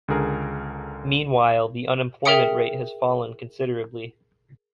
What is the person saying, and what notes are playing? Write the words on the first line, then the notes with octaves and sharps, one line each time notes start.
Meanwhile, the unemployment rate has fallen considerably.
C#2 D3 G#4 A#4
G#4 A#4 E5 G5 D#6 C#7